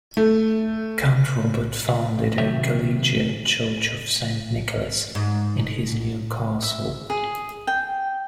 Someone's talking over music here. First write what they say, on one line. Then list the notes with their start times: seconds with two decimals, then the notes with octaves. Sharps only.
Count Robert founded a collegiate church of Saint Nicholas in his new castle.
0.17 A3
2.38 C3 D#3 F#3 E5
5.15 G#2
6.62 E5
7.10 G#4
7.67 G5